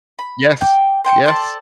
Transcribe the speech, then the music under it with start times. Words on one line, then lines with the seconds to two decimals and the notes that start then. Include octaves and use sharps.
Yes. Yes.
0.19 B5
0.61 G5 D6
1.04 C5 G5 G#5 C#6
1.25 A4 C5 D5 A5